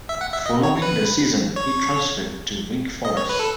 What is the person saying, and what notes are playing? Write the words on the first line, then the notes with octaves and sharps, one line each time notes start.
Following the season he transferred to Wake Forest.
E5
F#5
E5
D#5
C#5
B4
C#5
D#5
C#5
B4
A4